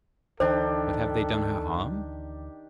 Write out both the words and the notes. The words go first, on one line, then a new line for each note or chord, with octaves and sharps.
But have they done her harm?
D2 D#3 E3 D4 G4 A4 C5